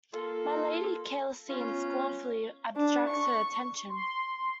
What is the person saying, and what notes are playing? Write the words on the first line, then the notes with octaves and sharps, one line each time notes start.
My Lady carelessly and scornfully abstracts her attention.
A#3 F4 A4
B3 C#4 F4
D4
C#6
C6